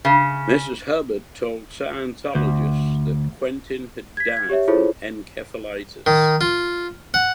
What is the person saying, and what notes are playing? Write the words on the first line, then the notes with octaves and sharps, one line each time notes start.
Mrs. Hubbard told Scientologists that Quentin had died from encephalitis.
C#3
D2
G#6 B6
G#6
G4 C#5 E5
E4 F4 G#4 A4 C5 C#5
D#3
F4
F#5